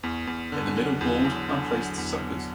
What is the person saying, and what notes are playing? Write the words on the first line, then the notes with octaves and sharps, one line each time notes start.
In the middle board are placed suckers.
E2
E2
D3
F#3
E2
E2
D3
F#3
E2
E2